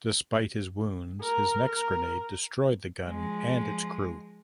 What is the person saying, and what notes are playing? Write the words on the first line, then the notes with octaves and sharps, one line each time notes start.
Despite his wounds his next grenade destroyed the gun and its crew.
A#4
A#4
F3 G#3